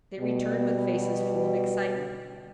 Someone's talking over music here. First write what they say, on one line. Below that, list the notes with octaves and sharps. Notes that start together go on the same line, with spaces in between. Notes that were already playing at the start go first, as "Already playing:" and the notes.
They returned with faces full of excitement.
B2 G3